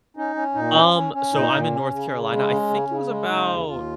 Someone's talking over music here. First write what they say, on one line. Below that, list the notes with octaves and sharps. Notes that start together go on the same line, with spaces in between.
Um, so I'm in North Carolina. I think it was about
C#4 D#4
C#4
A#2 D#4
C#4
C#4
C#4
A#2 D#4
A#2
C#4
C#3
C#3
G#3
C#4
C#3
C#3
G#3
C#3 D#4
D#2
D#2 F4